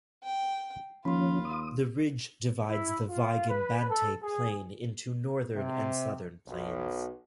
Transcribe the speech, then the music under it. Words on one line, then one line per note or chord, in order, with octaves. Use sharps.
The ridge divides the Vigan-Bantay Plain into northern and southern plains.
G5
D#2 F3 C#4 F4 B5 C6
D#6
E4
F4
B4
A4
G#4
C3
B1